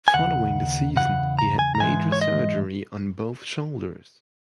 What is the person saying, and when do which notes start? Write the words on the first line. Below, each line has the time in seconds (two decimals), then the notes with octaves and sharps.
Following the season, he had major surgery on both shoulders.
0.08 G#5
0.14 D#2 C#3 F#5
0.96 E2 C#3 F#5
1.39 A#5
1.59 G#5
1.75 A#5
1.80 G#2 E3 G#3 G#5
2.12 C#5
2.21 D#5